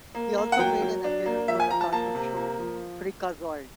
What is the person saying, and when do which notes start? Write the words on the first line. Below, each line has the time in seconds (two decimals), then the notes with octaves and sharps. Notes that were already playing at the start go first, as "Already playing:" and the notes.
He also made an appearance on the cartoon show Freakazoid!
0.15 A#3
0.38 A#3
0.52 F#5
0.59 F#3 G5
0.82 F#3
1.04 D4
1.26 A#3
1.48 F3 E5
1.60 G#5
1.71 F3 A#5
1.81 A5
1.92 A#3 A5
2.15 C3
2.36 A#3
2.59 F3